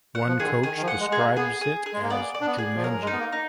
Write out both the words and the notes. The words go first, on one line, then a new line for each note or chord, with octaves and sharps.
One coach describes it as Jumanji.
F#5
F3
D#3 G#4
D3
D#3 G#4
D#3
F3
F#5
G#3
G#3 G#4
A#3
B3 G#4
G#4
G#4
G#3
A#3
B3 D5
D5
D4
B3
G#4
F3
F#3 A#4
G#3
D#4
B3
A#3
D#4